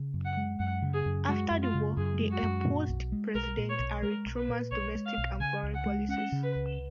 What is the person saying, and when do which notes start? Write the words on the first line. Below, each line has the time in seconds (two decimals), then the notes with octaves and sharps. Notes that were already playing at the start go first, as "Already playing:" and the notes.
After the war, they opposed President Harry Truman's domestic and foreign policies.
Already playing: C#3
0.14 F#2
0.25 F#5
0.37 G#3
0.59 F#2 F#5
0.82 C#3
0.93 G#4
1.06 F#2
1.28 G#3 F#4
1.50 F#2
1.62 F4
1.74 C#3
1.97 F#2 G#4
2.20 G#3
2.31 F#4
2.43 F#2
2.66 A#2
2.89 B1
3.12 G#3
3.35 B1 A#4
3.57 A#2
3.69 C#5
3.79 B1
4.03 G#3 A#4
4.26 B1
4.37 B4
4.48 A#2
4.71 B1 C#5
4.95 G#3
5.06 F5
5.18 B1
5.40 C#3 G#5
5.63 C#2
5.74 F#5
5.86 G#3
6.08 C#4 F#5
6.32 C#3
6.43 B4
6.55 C#2